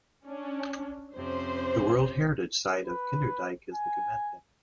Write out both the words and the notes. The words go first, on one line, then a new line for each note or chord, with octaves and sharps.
The World Heritage site of Kinderdijk is in the gemeente.
C#4 D4
F2 C3 C#4 C5
B4
G#5